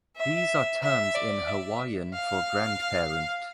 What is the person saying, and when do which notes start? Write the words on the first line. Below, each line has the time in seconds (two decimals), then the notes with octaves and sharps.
These are terms in Hawaiian for grandparent.
0.17 E5
0.83 E5
1.15 D5
1.48 E5
2.14 F5